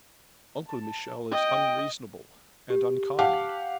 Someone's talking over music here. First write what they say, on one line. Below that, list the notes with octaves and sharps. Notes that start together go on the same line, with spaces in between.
Uncle Michel is unreasonable,--and unkind.'
A5
D#5 G5
G4
G4 F5 F#5 A5 D6